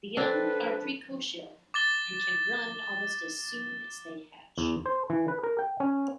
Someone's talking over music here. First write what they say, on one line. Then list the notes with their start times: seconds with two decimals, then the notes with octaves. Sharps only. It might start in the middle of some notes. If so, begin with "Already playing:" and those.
The young are precocial, and can run almost as soon as they hatch.
0.17 C4 D4 A4 B4 D5
1.74 D6 A6 G7
4.58 E2
4.86 C5
5.10 E3
5.28 B4
5.43 A#4
5.59 G5
5.80 C#4